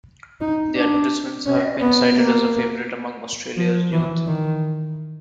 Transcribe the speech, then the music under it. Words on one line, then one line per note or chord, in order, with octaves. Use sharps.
The advertisements have been cited as a favourite among Australia's youth.
D#4
D4
C#4
B3
A#3
F3
E3
D#3